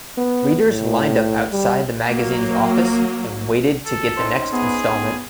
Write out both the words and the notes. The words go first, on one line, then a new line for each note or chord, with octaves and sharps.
Readers lined up outside the magazine's offices, waiting to get the next instalment.
B3
A2
G3
F#3 A#3
A4
C#4 D#4 C5
B3 G#4
B3